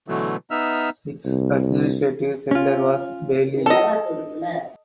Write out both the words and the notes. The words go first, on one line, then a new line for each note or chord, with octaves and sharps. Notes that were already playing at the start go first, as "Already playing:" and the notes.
Its administrative centre was Bely.
B2 D3 E3 F#3 A3
B3 D#4 E5 E6 F6
C2
C#4 F4
A4 D#5